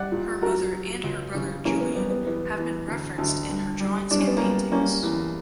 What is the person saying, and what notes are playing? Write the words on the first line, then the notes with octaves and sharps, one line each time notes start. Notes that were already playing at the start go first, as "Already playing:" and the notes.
Her mother and her brother Julian have been referenced in her drawings and paintings.
Already playing: G3 D5 F#5
A#2
F#3 F#4 A#4
F#3
C#2
C#3
E3 A#3 C#4
B3
G3 B3
B3
E2 B3
E2
D2
D2
G2
G3
G2 D4
C#4
B3
G3 A#3 C#4
G3 A#3 C#4
E2